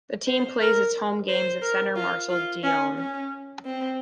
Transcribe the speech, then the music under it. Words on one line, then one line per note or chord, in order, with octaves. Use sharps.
The team plays its home games at Centre Marcel Dionne.
C5
A#4
C5
A#4
F4
F4
C#4
C#4
C4